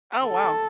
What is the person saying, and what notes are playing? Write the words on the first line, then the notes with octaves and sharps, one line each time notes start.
Oh, wow.
A4